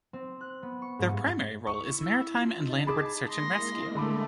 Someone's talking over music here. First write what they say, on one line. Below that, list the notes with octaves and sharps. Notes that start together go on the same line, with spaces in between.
Their primary role is maritime and landward search and rescue.
C4
F#6
B3
C#6
G#2
G2
E4 E5 C#6
E6
D#4 F4 A5
G#4 B5 D6
G#3 A#3 E4 C6 D#6 A#6
D3 A3 B5 D6